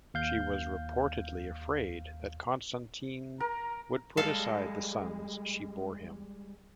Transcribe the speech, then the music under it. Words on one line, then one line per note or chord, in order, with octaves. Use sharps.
She was reportedly afraid that Constantine would put aside the sons she bore him.
D#2 F5 G6
A#4 A#5
G3 G#3 A4 F5